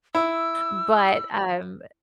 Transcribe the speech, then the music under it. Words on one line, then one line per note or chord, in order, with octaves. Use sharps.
but, um,
E4 E6